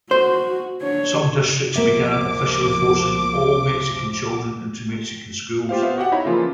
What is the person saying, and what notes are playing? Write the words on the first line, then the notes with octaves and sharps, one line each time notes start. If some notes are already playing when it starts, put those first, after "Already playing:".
Some districts began officially forcing all Mexican children into Mexican Schools.
F#4 C5
D4 C#5
C#2 F3 A#3 E5 D6
F4 G4 C5 F5
B3 C5 E5 F5
F#4 G4 F#5
D#4 E4 C#5 A#5 B5
C#3 E3 F3 A#3 F4